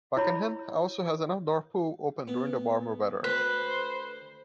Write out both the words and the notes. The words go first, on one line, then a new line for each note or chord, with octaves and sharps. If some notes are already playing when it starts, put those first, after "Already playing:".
Pakenham also has an outdoor pool open during the warmer weather.
E4 C#5 B5
B3
D2 B4 C5